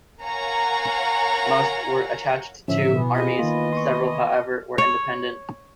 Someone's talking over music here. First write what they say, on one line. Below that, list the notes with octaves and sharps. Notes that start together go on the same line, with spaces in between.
Most were attached to armies, several however were independent.
A#4 C#5 F5 F#5 G#5 A#5
A2 D3 F3 F#3 C#4 E5
B2 E3 B3
F4 G#4 D#5
D#3 A#3 F4
C6 C#6
C#5